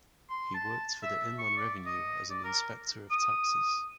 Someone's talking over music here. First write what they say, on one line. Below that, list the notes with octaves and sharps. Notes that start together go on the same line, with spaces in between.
He worked for the Inland Revenue as an inspector of taxes.
C6
A5
E5
C#6
D5
D#5
D5
A#4
D#6